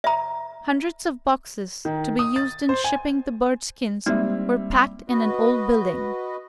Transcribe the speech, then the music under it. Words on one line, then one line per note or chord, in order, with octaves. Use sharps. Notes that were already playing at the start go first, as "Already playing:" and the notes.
Hundreds of boxes to be used in shipping the bird skins were packed in an old building.
E5 A#5
D#3
D#6
A6
C5
G#5
G3 G#3 A#3 C4 D#4 E5
F#4 B4 D#5